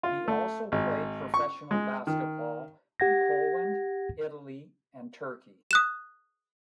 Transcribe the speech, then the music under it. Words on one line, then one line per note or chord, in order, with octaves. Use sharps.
He also played professional basketball in Poland, Italy and Turkey.
F4
A3
G#1
C#6
G#3
D#3
G4 F#5 G#6 A#6
D#6 F#6 E7